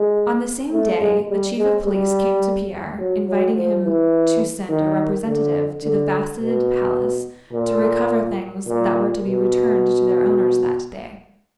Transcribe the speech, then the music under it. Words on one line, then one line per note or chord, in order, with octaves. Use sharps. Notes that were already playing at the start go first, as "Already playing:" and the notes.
On the same day the Chief of Police came to Pierre, inviting him to send a representative to the Faceted Palace to recover things that were to be returned to their owners that day.
Already playing: G#3
A3
G#3
G3
G#3
G3
F#3
F#3
F3
E3
D#3
D3
D3
B2
A#2
A#2
B2